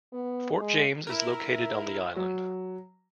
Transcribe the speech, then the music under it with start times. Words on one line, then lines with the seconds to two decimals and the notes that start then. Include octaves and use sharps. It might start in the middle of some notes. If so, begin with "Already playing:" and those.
Fort James is located on the island.
0.13 B3
0.59 G#3
1.07 E4 A#4
2.16 F#3